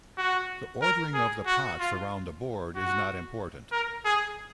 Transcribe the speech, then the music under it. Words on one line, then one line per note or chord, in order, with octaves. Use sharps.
The ordering of the pots around the board is not important.
F#4
A#4
G#4
F#4
F4
F#4
A#4
G#4